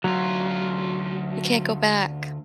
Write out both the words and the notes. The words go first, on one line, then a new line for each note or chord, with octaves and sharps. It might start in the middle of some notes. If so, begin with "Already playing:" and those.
You can't go back.
D2 F#3 F4